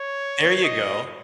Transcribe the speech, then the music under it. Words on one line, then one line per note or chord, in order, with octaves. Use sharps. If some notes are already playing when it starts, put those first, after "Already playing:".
There you go.
Already playing: C#5
D#5